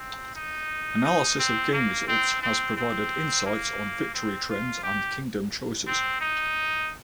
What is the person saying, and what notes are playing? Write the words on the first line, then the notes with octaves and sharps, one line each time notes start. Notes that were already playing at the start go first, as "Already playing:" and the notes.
Analysis of game results has provided insights on victory trends and kingdom choices.
Already playing: C4
D#4
D#4
C4
A#3
C4
C4
C4
A#3
C4
F4
G4
C4
D#4